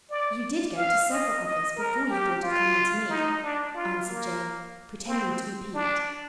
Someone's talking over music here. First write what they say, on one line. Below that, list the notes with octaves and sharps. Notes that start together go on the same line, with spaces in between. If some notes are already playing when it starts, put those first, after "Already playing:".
"You did go to several others before you thought of coming to me," answered Jane, pretending to be piqued.
D5
F5
D#5
D#5
A#4
G4
F4
D#4
D4
F4
A#3
C4
D4